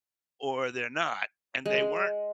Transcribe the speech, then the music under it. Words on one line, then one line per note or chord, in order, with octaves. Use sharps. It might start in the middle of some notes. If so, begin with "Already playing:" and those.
or they're not and they weren't.
G#3